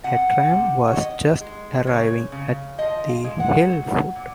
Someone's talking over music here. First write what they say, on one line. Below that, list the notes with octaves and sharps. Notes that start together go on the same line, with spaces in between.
A tram was just arriving at the hill foot.
C3 F#5
C3
C#5
D#3 D#5
G#3
C#3 C#5
C#3
F3 D#5
F5
G#3
F#5
F#3
A#2